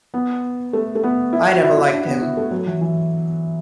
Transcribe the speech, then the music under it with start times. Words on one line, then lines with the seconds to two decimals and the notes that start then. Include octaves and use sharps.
I never liked him.
0.14 B3
0.73 A3
0.95 A3
1.03 B3
1.33 E4
1.48 F#4
1.63 E4
1.78 E4
1.93 D4
2.07 B3
2.22 E4
2.37 A3
2.51 F#3
2.67 E3
2.81 E3